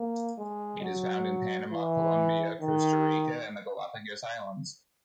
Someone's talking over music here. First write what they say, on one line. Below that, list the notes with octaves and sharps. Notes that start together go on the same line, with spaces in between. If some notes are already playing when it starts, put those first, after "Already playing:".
It is found in Panama, Colombia, Costa Rica, and the Galapagos Islands.
Already playing: A#3
G#3
F#3
E3
D#3